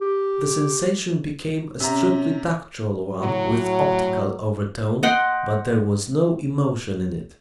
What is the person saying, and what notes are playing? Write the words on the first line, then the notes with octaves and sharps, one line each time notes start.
The sensation became a strictly tactual one with optical overtone, but there was no emotion in it.
G4
C3 C#4 A#5
A2 F#3
D#5 F#5 G5 C6